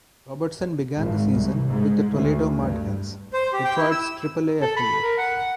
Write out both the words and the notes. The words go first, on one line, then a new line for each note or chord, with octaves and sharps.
Robertson began the season with the Toledo Mud Hens, Detroit's Triple-A affiliate.
G#1
C2
G#2
D2
G2
C5
G4
G5
E4
E6
A4
B5
A#4
F#5